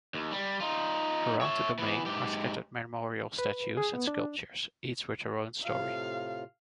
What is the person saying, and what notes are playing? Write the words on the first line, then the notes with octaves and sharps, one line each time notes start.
Around the Domain are scattered memorial statues and sculptures, each with their own story.
D#2
G3
D#4 F4
C#5 E5
E3 B3
G#2 G4
B4
G#4
B3
D4
A2 C3 F4 F5